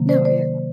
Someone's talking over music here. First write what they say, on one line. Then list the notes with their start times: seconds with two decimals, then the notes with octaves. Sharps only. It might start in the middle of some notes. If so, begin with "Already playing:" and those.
No, yeah.
Already playing: C3 D#3 F#3 A#3
0.09 C5 D5
0.25 C5 D5